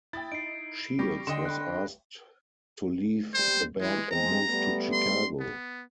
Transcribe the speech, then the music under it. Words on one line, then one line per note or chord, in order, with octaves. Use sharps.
Shields was asked to leave the band and moved to Chicago.
E4 G5 D#6 A6
D#4 C7 D7
G3 G4 B5 C#6 A#6
D3 D#5 G5 C6 E7
B5 F#6
G3 C5
E3 G#3
G#3 C4 A#5
G3 A3 B3
C6
B3